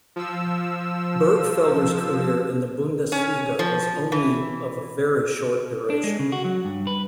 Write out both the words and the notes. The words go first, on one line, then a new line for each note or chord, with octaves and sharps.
Bergfelder's career in the Bundesliga was only of a very short duration.
F3 E6
C#4
F3
E3
D4
G#3
C#3
F#4
F#3
G2
B4